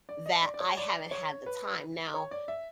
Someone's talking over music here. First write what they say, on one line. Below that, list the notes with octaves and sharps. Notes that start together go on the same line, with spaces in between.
that I haven't had the time. Now
D5
D#5
D5
D5
C#5
D5
C#5
B4
C#5
D5
E5